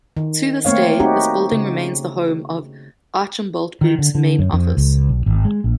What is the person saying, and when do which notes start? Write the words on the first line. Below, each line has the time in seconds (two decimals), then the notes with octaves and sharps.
To this day, this building remains the home of Archambault Group's main office.
0.17 D#3
0.65 A3 A#3 C4 C#5 F5
1.00 C4 D#4 F#4 G4
1.52 C#3
3.81 D#3
3.99 D3
4.15 D3
4.39 F#2
4.53 F2
4.77 C#2
5.09 B1
5.26 G#1
5.45 G#3
5.64 A#1